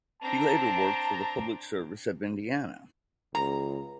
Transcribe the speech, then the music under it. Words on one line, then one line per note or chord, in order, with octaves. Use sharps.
He later worked for the Public Service of Indiana.
C4 D4 A5 A#5
C#2 A#5